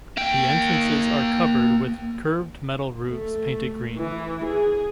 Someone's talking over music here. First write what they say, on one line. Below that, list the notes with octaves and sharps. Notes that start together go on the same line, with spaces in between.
The entrances are covered with curved metal roofs painted green.
A#3 G5
A3
E3
G#4